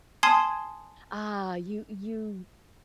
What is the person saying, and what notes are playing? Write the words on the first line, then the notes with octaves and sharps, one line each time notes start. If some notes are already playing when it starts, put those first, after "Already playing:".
Ah, you you
G#5 A5 C6 D#6 G#6 C7